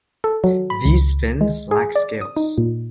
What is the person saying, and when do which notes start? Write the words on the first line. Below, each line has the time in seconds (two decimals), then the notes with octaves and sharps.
These fins lack scales.
0.24 A4
0.44 F#3
0.70 B5
0.85 C#2
1.41 G#3
1.71 G#4
1.95 D5
2.21 D#6
2.36 D#4
2.58 A#2